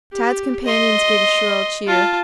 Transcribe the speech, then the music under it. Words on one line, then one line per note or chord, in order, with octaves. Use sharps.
Tad's companions gave a shrill cheer.
G4
D#5 C6
F4 A5